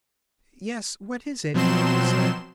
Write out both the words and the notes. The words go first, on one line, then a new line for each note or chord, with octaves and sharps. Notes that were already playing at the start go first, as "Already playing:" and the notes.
"Yes, what is it?" she said.
B2 F3 F#3 C4 C6 E7